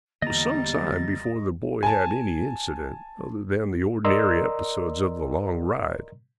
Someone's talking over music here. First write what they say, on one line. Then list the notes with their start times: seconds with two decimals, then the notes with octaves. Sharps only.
It was some time before the boy had any incident other than the ordinary episodes of the long ride.
0.22 E2 D3 G3 A#3 B3 D#5 A#5 A6
1.83 G#5 A5
4.05 A#4 D5 D#5 A#5 C6 E6